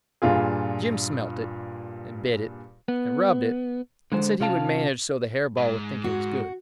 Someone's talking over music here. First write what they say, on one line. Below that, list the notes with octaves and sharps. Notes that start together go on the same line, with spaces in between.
Jim smelt it and bit it and rubbed it, and said he would manage so the hair-ball would think it was good.
G2 A#2 F4 G#4
B3
D3 G#3 C5
C3 C#4 F4 F5 A5
G#2
F#4